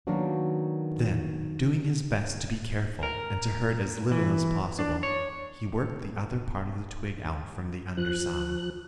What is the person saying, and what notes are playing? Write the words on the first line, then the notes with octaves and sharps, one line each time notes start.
Then, doing his best to be careful and to hurt as little as possible, he worked the other part of the twig out from the under side.
D#3 F#3 A#3 B3 D4 F#4
A#4
E3
D4
C#5
F3 F#6